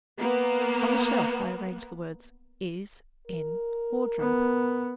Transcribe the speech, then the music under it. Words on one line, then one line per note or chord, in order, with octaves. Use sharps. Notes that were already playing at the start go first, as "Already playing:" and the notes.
On the shelf I arranged the words, is, in, wardrobe.
A#3 B3
A#4
B3